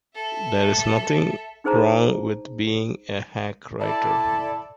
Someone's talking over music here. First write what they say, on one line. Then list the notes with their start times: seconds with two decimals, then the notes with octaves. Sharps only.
There is nothing wrong with being a hack writer.
0.15 A4 E5
1.64 D4 D#4 G#4 C5 A5 A#5
3.81 E4 A4 D5 A5